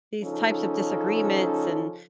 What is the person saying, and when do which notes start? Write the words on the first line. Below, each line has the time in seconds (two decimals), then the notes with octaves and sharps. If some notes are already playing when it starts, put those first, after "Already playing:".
these types of disagreements, and
0.23 C#3 F3 C#4 D#4 A4